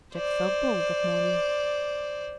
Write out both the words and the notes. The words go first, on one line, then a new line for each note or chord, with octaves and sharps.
Jack felt bold that morning.
C5 D5